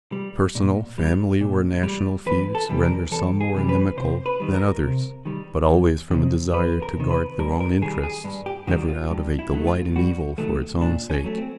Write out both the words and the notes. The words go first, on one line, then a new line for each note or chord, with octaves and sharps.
Personal, family, or national feuds render some more inimical than others, but always from a desire to guard their own interests, never out of a delight in evil for its own sake.
G3
A#2
G3
A#2
G3
E2 B4
A4
C3 E3 G3
A#4
E2 A4
G#4
C3 E3 G3
B4
C3 C5
B4
D#3 G3
A#4
C3
D#3 G3
E2
C3 D#3
E2 B4
A#4
C3 D#3
B4
G2 A#4
A#4
D#3 G3 G#4
G#4
G2
G4
D#3 G3 F#4
F4
G2
E4
D#3 F#3 A3
F4
G2 F#4
D#3 F#3 A3
A#2 D4
C#4
F#3 A3
C4